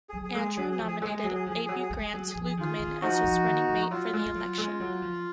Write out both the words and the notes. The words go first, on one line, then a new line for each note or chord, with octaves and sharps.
Andrew nominated Abu Grant Lukeman as his running mate for the election.
G#4
F#3
G#4
G#3
G#4
F#3 G#4
G#4
F3
G#4
G#3 G#4
G#4
F#3
G#4
F3 G#4
F#3 G#4
G#4
G#3
G#4
F#3 G#4
G#4
F3
G#4
D#3 F4 G#4
D#3
F3 D#4 F#4
F3
D#3
F3
F#3 F4
G#3
G#3
F#3
G#3
F#3
F3